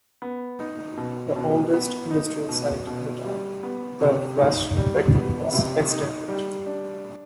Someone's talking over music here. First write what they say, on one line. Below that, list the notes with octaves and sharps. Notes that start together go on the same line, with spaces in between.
The oldest industrial site in the town, the flass factory was extended.
B3
D#4
B2
B2
B3
D#4
B2
B2
G3
B3
C3
D#4
G3
B3
C3
D#4
G3
D4